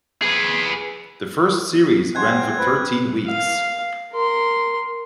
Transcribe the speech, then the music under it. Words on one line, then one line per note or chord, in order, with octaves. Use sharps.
The first series ran for thirteen weeks.
G#4 B4
G2 A3 C4 F#5 G#5 C6 F#6 G#6
B4
F5
A#4 C6